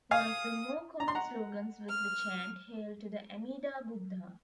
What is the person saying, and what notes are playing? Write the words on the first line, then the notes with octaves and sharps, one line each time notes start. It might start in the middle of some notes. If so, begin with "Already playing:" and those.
One of the more common slogans was the chant, Hail to the Amida Buddha!
F5 G#5 D#6
A#5
C6
F#5 A#5
F6